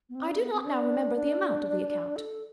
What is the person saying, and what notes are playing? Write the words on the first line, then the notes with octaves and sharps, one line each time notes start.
"I do not now remember the amount of the account."
B3
C4
D4
B3
C4
D4
D4
A4